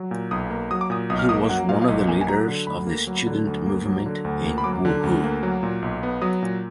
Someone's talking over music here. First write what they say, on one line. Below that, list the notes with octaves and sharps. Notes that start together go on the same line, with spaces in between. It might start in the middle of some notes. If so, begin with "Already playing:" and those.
He was one of the leaders of the student movement in Wuhu.
Already playing: F#3
A#2
B1 D#6
A#3
F#3 D#6
D6
A#2 D#6
B1 D#6
F6
A#3 D#6
F#3 F#5
A#2 F5
F5
B1 D#5
A#3 G#5
G#5
F#3 A#5
D3
D2 B5
A#3
F#3
D3
D2
A#3
F#3
D3
D2
A#3
B5
F#3 D6
D3
D2
A#3
F#3
A#2
B1
B3
F#3 D#6
A#2